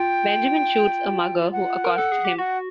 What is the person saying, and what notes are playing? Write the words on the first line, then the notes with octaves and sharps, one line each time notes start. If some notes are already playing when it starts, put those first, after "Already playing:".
Benjamin shoots a mugger who accosts him.
Already playing: F4 G5
F#5
A#4
A4 F#5
G#4
G4
F#4 F#5